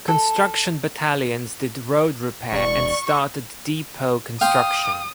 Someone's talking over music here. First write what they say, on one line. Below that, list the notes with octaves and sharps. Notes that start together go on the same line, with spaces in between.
Construction Battalions did road repair and started depot construction.
A4
E1 D5 C#6
F5 G5 C6 D#6